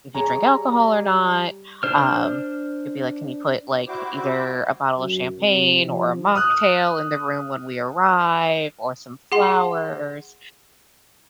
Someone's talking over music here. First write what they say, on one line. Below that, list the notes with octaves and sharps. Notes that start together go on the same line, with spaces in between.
if you drink alcohol or not. Um, it'd be like, "Can you put like either a bottle of champagne or a mocktail in the room when we arrive or some flowers?"
G3 G#4 C#5 A#5
D4 C5 F6
G3 C4 E4 F#4 C5 D6
F#2
C3
F3
D#6 F6 F#6
G#4 F#5 C6